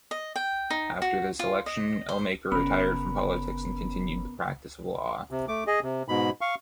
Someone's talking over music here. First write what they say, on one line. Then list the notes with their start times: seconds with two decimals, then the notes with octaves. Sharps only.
After this election, Ellmaker retired from politics and continued the practice of law.
0.11 D#5
0.36 G5
0.70 D#4
1.02 F#4
1.39 F4
1.66 D#5
2.09 C5
2.52 F#1 C#3 B3 C#4 A#4 B5
5.31 C3
5.48 A3 D6
5.67 G#4 D#5
5.83 C3
6.08 G#2 B2 B5
6.41 F5 C#6